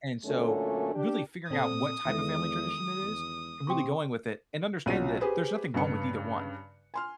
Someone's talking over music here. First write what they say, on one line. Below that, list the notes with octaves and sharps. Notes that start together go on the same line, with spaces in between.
And so really figuring out what type of family tradition it is and really going with it and understanding that there's nothing wrong with either one,
F#2 A#2 D3 A3 C#4
D4 G4
A#2 C4 A4 D5 D#6
E2 D#3 G#3 A4 E5
E2
C3 G5 C6 C#6
B1 A#2 C#4 F#4 D#7
G4 G#4 B4 C5
G2 C#3 B4 C#7
G#5 C6 F6